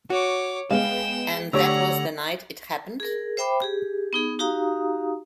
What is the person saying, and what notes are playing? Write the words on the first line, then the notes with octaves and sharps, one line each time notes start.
And that was the night it happened?
F#4 C#5 D6
G#3 B3 F5 G5 E7
D3 A3 G4 C#5 D5 F#5 A#5 E6
G#4 A#4
C5 E5 G5 B5 D6
G4 G#4
B3 D#4 G#4
D#4 F#4 G4 F5 A#5 D#6